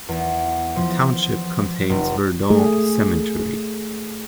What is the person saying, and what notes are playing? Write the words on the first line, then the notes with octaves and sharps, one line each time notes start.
The township contains Verdon Cemetery.
E2
F3
F1
A3 G#4